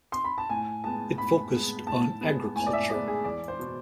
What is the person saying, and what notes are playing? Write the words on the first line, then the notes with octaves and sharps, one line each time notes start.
It focused on agriculture.
C6
B5
A5
A2 G#5
G#3 B3 A5
A2 B5
G#3 B3
A2 A5
G#3 B3
A2 G#5
D5
E5
G#3 B3 D5
G#4
E2 D5
C5
B2 B3